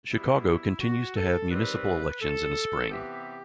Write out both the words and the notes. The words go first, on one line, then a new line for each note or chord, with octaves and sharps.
Chicago continues to have municipal elections in the spring.
B2 G3 B3 E4
F#4
A4
D#3 G3 C4 B4
A4
C3 E3 B3 G4